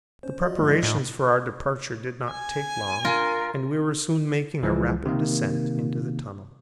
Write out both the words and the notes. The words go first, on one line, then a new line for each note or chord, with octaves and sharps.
The preparations for our departure did not take long, and we were soon making a rapid descent into the tunnel.
C#4 C5
F#3 F4 D5 D#5
F2 G#2
A2 D#4
G#5
F4 A#4
C#2 E3 F3 G#3
C3 D#3 A#3